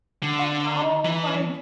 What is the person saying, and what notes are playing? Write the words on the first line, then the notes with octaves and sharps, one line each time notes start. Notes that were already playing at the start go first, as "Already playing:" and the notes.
like, oh my g
D3
E3